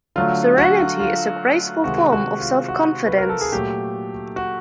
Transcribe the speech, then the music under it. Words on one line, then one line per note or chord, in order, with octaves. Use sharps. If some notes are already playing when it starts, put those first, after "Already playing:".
Serenity is a graceful form of self-confidence.
D3 F#3 A3 F4
F#4
F4
C3 D#3 G#3 F#4
F#4
F4
F#4
B4
A#4
A4
G#4
A#2 F#3 A3 G4
F#4